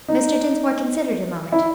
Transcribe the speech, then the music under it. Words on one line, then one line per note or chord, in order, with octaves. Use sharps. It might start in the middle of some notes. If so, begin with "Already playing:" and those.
Mr. Dinsmore considered a moment.
D#4
E4